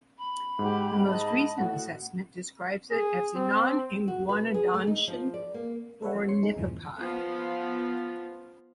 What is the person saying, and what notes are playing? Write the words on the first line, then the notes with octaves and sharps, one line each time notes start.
The most recent assessment describes it as a non-iguanodontian ornithopod.
B5
G#2 F#4 G4
D#5 A5
A2 F#4 F#5
G#4
C4
F#4
B4
G#4
A3
D#4
F3
D5
A#3
A4 B4 C#5 E5 F#5
F3
C#5 C6 C7 C#7
D#4 G#4
E2 G2 A#2 C#3 E3 F3
F3 B3 F4